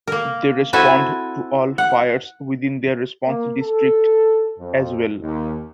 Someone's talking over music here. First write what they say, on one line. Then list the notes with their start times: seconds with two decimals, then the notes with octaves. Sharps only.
They respond to all fires within their response district as well.
0.07 A#3 A#4
0.73 C4 E4 F#4 A4 E5 G#5
1.78 F#5
3.26 A#3
3.59 A4
4.58 F2
5.22 D#2